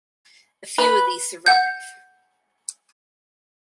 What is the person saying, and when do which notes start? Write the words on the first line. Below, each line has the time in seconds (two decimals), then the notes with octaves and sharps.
A few of these survive.
0.78 B4
1.46 F#5 G6